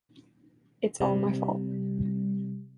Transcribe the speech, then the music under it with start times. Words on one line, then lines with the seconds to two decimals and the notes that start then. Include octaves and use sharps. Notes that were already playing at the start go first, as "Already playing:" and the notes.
It's all my fault.
1.00 C3 G3